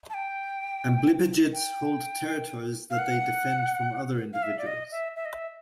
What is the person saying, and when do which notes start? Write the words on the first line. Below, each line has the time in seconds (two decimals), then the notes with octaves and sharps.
Amblypygids hold territories that they defend from other individuals.
0.10 A5
0.14 G5
1.53 G5
2.91 F5
2.99 F#5
4.33 F5
4.43 E5
4.58 D5
4.67 D#5
4.92 E5
5.16 E5
5.25 D#5
5.34 E5